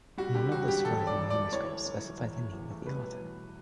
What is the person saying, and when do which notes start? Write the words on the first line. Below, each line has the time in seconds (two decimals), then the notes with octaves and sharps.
None of the surviving manuscripts specify the name of the author.
0.18 G3 F#4
0.34 D3 G4
0.51 E1 F#4
0.68 G3 G4
0.85 E1 A4
1.01 E1
1.07 D5
1.18 E1
1.30 D2 D5
1.52 E3 C#5
1.68 E3
1.86 F#1
2.03 F#2
2.19 E2
2.36 A3
2.53 E2
2.70 A3
2.86 G3 B4
3.02 B2
3.20 E2